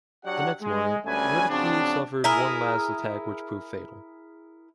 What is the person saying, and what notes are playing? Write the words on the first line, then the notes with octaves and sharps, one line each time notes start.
The next morning, Willkie suffered one last attack which proved fatal.
F#3 D4 G4 D5 F#5
G#3
D2 G3 A3 C#4 B4 G#5
C#3 F3 F#3 C4 D4
E4 G#4 A#4